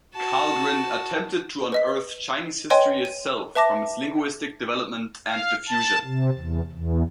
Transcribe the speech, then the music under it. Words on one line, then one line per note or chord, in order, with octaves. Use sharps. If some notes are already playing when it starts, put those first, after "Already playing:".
Karlgren attempted to unearth Chinese history itself from its linguistic development and diffusion.
F#4 A5
B4 D#5 B6
B4 C#5 D#5 G5 G#5 C6
D#7
B4 E5 A5 D6 A#6
F5
A5
C3
E2
E2